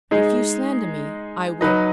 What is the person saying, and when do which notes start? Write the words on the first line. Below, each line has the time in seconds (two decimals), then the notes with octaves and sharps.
But if you slander me, I will.
0.11 G#3 D#4 G#4
1.61 F#3 D#4 B4 D#5